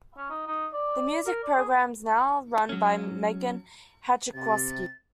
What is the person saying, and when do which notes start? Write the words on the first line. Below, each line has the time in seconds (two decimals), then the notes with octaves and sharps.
The music program is now run by Meghan Hachkowski.
0.17 C#4
0.30 D#4
0.47 D#4
0.73 D5
1.26 A#4
1.44 D5
1.58 G#4
2.69 F#3 C#4
4.34 C3 A6